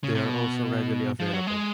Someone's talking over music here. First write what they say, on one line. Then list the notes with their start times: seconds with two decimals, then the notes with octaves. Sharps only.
They are also readily available.
0.04 C#3
0.15 C3
0.25 B2
1.20 F3
1.33 F#3
1.47 G#3